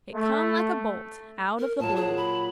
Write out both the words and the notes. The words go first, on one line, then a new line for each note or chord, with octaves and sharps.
It come like a bolt out of the blue.
A3
A#4
A#2 F#3 A5
G#4
B5